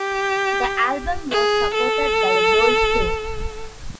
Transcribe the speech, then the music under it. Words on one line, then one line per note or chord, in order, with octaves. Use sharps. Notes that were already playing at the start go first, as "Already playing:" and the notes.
The album was supported by a world tour.
Already playing: G4
G#4
A4